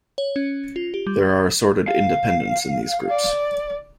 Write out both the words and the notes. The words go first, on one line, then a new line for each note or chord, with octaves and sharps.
There are assorted independents in these groups.
C#5
C#4
F4
G4
G3
F5
D5